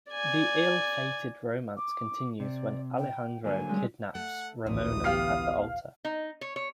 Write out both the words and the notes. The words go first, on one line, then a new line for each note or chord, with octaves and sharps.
The ill-fated romance continues when Alejandro kidnaps Ramona at the altar.
D5 G#5
D6
C3 D5
G5
D3 F#3 A#3 G#5
G3 G#3 C4
A3 F#5
A1 D2 A#2 E3 D#6
B3 G4 F5 F#5 F6 C7
D#4
C#5
C#5